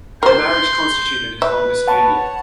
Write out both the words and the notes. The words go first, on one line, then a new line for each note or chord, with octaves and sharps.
Their marriage constituted his longest union.
A#4 C5 C6 G6
B4 E5
C#5 F#5 A5 B5